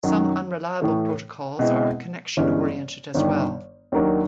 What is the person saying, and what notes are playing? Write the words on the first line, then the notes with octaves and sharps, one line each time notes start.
Some unreliable protocols are connection-oriented as well.
F#2 D#3 F#3
A2 E3 A3
B2 G#3 C4 E4
G1 G2 E3 G#3 C#4
G1 G2 D#3 G3
D#2 D#3 F#3 A#3 D4